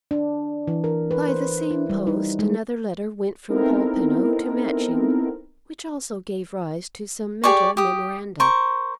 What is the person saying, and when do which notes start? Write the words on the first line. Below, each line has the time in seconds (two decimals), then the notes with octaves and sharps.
By the same post another letter went from Polpenno to Matching which also gave rise to some mental memoranda.
0.11 D4
0.67 E3
0.84 A#4
1.11 B4
1.29 C5
1.71 E4
1.89 G3
2.07 D#4
2.39 G#3
3.50 B3 C4 D#4 E4 A4 A#4
7.44 G4 G#4 D5 C#6
7.77 G4 D#6
8.40 A#4 C5 C#6